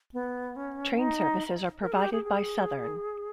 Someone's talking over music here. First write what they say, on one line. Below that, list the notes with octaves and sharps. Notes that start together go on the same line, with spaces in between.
Train services are provided by Southern.
B3
C#4
D#4
A#4
G#4
G4
G#4
G#4